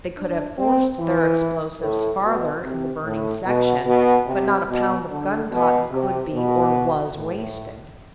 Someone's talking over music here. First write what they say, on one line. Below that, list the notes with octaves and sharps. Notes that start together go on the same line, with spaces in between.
They could have forced their explosives farther in the burning section, but not a pound of guncotton could be or was wasted.
D4
C4
E3
A2
B2
C3
A2
B2
B2
C3
B2
D3
B2
C3
B2
A2